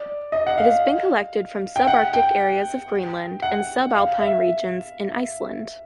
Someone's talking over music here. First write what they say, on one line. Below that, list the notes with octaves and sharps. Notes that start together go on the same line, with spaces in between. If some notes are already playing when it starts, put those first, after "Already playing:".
It has been collected from subarctic areas of Greenland, and subalpine regions in Iceland.
Already playing: D5
D#5
F#5
F5
G5
F#5
G5
F#5
F5
E5